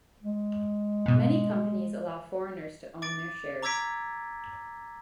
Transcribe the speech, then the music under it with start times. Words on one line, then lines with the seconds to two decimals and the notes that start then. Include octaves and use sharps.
Many companies allow foreigners to own their shares.
0.23 G#3
1.06 G#2 B2
3.02 D6 A6 D7
3.63 A#5 D6 E6 G#6 B6 D7